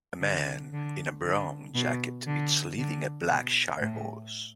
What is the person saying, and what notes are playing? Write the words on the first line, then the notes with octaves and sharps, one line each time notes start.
A man in a brown jacket is leading a black shire horse.
D3
D3
D3
B2
D3
D3
B2
A2